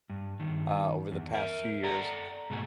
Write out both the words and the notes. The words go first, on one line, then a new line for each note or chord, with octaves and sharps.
uh, over the past few years,
G2
G2 D#3
E2
A#4 E5
A4 D5 F#5 A#5
G#2 B2 A3 F#4 G#4